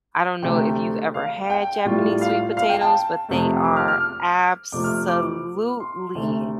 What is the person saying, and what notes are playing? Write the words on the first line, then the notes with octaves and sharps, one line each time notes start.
I don't know if you've ever had Japanese sweet potatoes, but they are absolutely
D2 C3 A3 G5
F5
G5
A2 G3 F4
F5
F5
G5
A5
F2 C3 A3
D6
F6
F6
F6
F2 C3 F3 A3 F4 D6
F6
D6
C6
D2 C3 A3